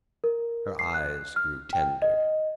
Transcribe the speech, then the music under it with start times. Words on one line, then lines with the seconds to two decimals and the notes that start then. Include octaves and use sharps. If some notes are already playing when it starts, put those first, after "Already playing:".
Her eyes grew tender.
0.24 A#4
0.79 C7
0.94 F#6
1.36 F6
1.73 G5
2.02 D#5